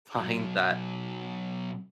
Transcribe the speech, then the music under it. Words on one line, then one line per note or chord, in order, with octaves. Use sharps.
find that,
B2 F#3